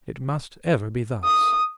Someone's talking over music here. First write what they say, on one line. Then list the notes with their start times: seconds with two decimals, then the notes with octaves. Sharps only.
It must ever be thus.
1.24 D#6